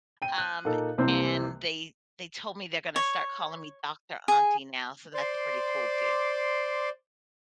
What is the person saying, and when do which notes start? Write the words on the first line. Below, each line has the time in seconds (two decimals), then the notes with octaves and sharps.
um, and they they told me they're gonna start calling me Doctor Auntie now, so that's pretty cool too.
0.22 G5 D#7
0.38 F#6
0.65 A#2 A#3 D#4 A4
0.98 F#1 C2 C3 E3 C4 C5
2.96 C#5
4.28 G#4
5.14 C5 D5 C6 D6